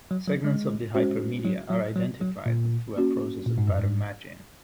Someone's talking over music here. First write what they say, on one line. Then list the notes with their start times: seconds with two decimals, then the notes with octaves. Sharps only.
Segments of the hypermedia are identified through a process of pattern matching.
0.11 F#3
0.27 F#3
0.44 G#3
0.94 G#3 C#4 F#4 C5
1.44 F#3
1.70 F#3
1.96 F#3
2.21 F#3
2.46 A#2
2.96 A#3 C#4 F#4
3.47 A#2
3.58 G#2
3.68 F#2
3.79 G#2